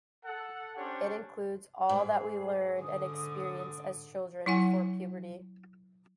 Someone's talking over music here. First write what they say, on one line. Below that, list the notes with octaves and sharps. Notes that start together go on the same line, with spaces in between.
It includes all that we learned and experienced as children, before puberty.
A4 F#5
C#4 D4 G4 C5 C#5
G#2 G#4
D3 D#6
F#3 E4 F#5 G#5